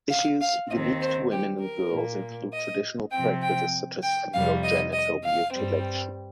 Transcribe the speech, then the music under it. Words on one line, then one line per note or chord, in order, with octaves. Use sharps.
Issues unique to women and girls include traditional practices such as female genital mutilation.
F5
F5
D#2 D#3 C4 D#5
C5
G4
A#4
A#2 A#3
D#5
C3 F3 C4 G5
G5
G5
F2 C3 G3 F5
D#5
D#5
F5
G2 G3 C4